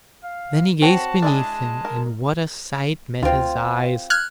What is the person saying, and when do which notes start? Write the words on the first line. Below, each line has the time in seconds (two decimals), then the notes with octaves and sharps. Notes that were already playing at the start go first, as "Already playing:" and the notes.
Then he gazed beneath him, and what a sight met his eyes!
0.23 F5
0.82 C4 F#4 C#5 A5
1.23 G#3 D4 E4 G#4
1.85 A#4
3.23 D2 C4 F4
4.10 F6 F#6 G#6